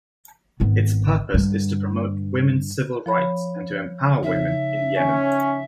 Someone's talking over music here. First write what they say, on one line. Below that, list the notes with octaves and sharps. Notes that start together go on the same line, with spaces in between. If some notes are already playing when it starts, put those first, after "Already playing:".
Its purpose is to promote women's civil rights and to empower women in Yemen.
G#1 B3
G2 D3
F3 C#5 B5
C#3 D#4 E5
C#4